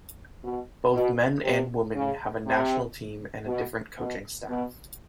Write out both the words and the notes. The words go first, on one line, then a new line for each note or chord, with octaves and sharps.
Both men and women have a national team and a different coaching staff.
B2
B2
C3
C#3
C3
B2
B2
B2